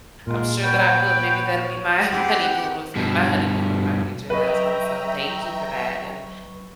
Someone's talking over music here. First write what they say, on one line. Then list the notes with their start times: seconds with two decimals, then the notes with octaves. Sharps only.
I'm sure that I will, maybe that'll be my, honeymoon with my honeymoon with my future husband, so thank you for that, and
0.27 A#2 G#3 F4 A#4
0.63 B4 C#5 F#5 G5
2.13 C4 G4 G#4 B4 F#5
2.96 G2 B2
4.30 F#3 B4 D#5 E5 G5 A#5 C#6